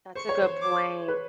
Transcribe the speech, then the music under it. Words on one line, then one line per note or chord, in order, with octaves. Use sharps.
That's a good point.
C5 C#6
C#5
C5
D6
B4